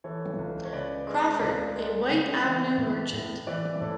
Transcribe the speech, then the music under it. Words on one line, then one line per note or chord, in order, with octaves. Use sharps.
Crawford, a Whyte Avenue merchant.
E3 A4 C#5
C#2
C#5
C#3 B4 D5
G#3
C#2 B4 D5
G#3
C#3
E3
A2
A2
E3 B4 D5
A2 A4 C#5